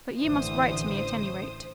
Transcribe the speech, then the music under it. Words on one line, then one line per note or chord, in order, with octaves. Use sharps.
"But you must write to me at any rate."
A1 D3 E3 C5 D#6